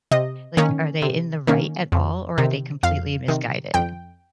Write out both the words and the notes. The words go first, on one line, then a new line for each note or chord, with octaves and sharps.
like, are they in the right at all, or are they completely misguided?
C3 D#5
D#3 A#3 C#4
C3
D#3 A#3 C#4
F2
C3 D#3
F2 F5
C3 D#3
F2 G5